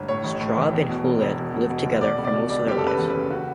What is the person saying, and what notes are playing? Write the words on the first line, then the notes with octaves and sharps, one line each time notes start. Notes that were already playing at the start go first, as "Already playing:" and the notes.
Straub and Huillet lived together for most of their lives.
Already playing: G1
A2 C#5
A1
A2
E3
E2
B2
E1
E1
B2
B2
B2
F#1
B2 D5
C#2
D5
B2
C#2 D5
F#1 G4
A4
C#3 B4
E2
B4
C#3
C#3 F#4